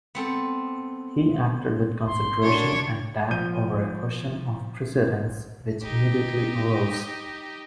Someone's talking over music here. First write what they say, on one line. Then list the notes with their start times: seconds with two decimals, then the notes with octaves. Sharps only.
He acted with consideration and tact over a question of precedence which immediately arose.
0.15 B3 C4 A4
2.06 C6
2.42 F#2 D4 C#5
3.31 F3 G6 D#7
5.82 D#4 G4